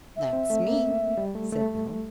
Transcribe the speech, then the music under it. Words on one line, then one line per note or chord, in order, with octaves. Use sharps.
"That's me!" said Bill.
E5
C4
A3
A#3
G3
A3
A3